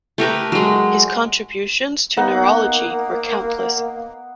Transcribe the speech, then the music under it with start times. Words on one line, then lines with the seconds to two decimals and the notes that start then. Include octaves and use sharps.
His contributions to neurology were countless.
0.18 A3 G4 A#4 B4
0.52 F#3 G#3
2.17 A#3 B3 D#4 F#5